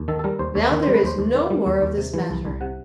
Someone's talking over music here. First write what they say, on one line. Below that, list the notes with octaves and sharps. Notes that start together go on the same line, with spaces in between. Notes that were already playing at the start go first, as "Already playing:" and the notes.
Now there is no more of this matter.
Already playing: D#2
D#3 A4
A4
G3 A#4
D#2 C5
D#2 C#5
D#3 C#5
G3 C5
B4
D#2 C5
D#2
D#3
G3
D#2
D#2
C3
E3
C2
C2
C3 F#5